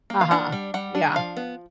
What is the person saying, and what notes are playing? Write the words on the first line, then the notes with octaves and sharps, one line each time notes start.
Uh-huh, yeah.
A#3
F5
D4 F#5
G3
G3 F#5
D4
F3 F5
B3